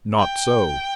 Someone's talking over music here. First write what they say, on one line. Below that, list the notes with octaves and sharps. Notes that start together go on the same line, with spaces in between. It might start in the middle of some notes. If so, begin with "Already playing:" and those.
Not so.
G5